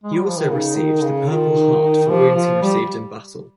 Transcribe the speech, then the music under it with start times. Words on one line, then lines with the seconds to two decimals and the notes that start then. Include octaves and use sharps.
He also received the Purple Heart for wounds he received in battle.
0.03 G#3
0.15 G3
0.27 F3
0.38 D#3
0.49 C#3 D#4
0.77 D#3
1.02 C#3
1.29 D#3 F4
1.55 D#4
1.83 D#4
2.09 F3 G4
2.35 F3 F4
2.61 G3 G4